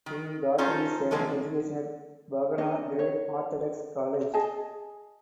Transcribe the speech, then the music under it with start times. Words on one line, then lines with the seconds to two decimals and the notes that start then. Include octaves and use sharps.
He got his second education at Phanar Greek Orthodox College.
0.06 D#3
0.58 C#4 D#4 F4 A4 C5 A#5
1.11 C3 F3 G#3 A#3
2.58 D4 C#5 D#5
2.99 C#5
4.34 G#4 D#5 G#5 A5